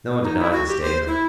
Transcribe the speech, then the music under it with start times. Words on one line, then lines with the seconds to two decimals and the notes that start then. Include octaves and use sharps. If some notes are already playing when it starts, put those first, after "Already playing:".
No one denied his statement.
0.23 D#4
0.39 E4
0.52 F#4
0.67 G4
0.82 C5
1.07 E4